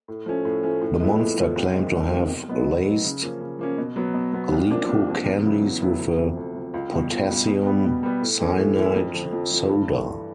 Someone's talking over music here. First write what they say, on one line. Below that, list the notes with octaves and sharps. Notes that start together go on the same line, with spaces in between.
The Monster claimed to have laced Glico candies with a potassium cyanide soda.
A2
F3 A3 C#4
A2
F3 A3 C#4
A2
F3 G#3 B3 E4
A2
F3 G#3 B3 E4
C2
C3 D#3 G#3
C2
C3 D#3 G#3
B2
F#3 B3 D#4
B2
F#3 B3 D#4
C#3
F3 A#3 C#4
C#3
F3 A#3 C#4
B2
F#3 B3
B2
F#3 B3
C2
A#2 F3 A#3 D4
C2
A#2 F3 A#3 D4
E2
C#3 F#3 B3 E4
E2
C#3 F#3 B3 E4
D2
C3 F3
D2
C3 F3
C#2
B2 G3
C#2
B2 G3
B2
G3 B3
B2
G3 B3
A2
E3 A3 C#4 E4
A2
E3 A3 C#4 E4
F2
D3 F3 A3
F2
D3 F3 A3
G2
E3 A3
G2